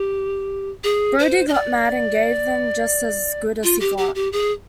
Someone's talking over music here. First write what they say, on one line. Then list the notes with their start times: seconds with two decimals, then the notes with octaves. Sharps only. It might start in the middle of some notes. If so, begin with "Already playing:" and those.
Brodie got mad and gave them just as good as he got.
Already playing: G4
0.84 G#4
1.19 C5
1.48 D#5
1.54 D5
3.63 F4
3.80 G4
3.98 G4
4.15 G4
4.32 G#4